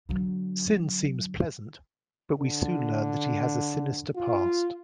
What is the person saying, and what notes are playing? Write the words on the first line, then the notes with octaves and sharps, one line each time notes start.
Syn seems pleasant but we soon learn that he has a sinister past.
D3 F#3
D3
F4